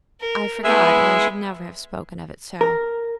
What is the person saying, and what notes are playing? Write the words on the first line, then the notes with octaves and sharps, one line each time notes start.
I forgot, or I should never have spoken of it so.
A#4
G#3 B3 E4 G#4 E5
A#4